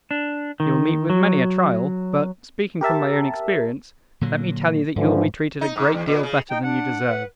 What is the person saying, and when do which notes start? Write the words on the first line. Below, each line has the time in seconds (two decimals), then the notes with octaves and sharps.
You will meet with many a trial; but, speaking from my own experience, let me tell you that you will be treated a great deal better than you deserve.
0.11 D4
0.60 D#3
1.10 F#3
2.81 G4 A#4 E5 A5
4.21 A#2 D3 F#3
4.96 G#2 D3 E3 F3
5.61 D#4
5.76 G#2
5.92 E2
6.08 A#2
6.23 C#3
6.49 D#4 G5
6.64 D4 F#5
7.07 B4